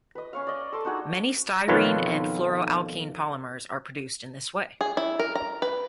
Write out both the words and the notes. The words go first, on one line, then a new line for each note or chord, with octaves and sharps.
Many styrene and fluoroalkene polymers are produced in this way.
B4 D#5
C#4 C#5 F5
D5 D#5
A4 C6 D6
D4 D#4 F#4 G#4
B1 F2 D#3 F4 B4 C#5
G#4
E4
A#4
A#5
B4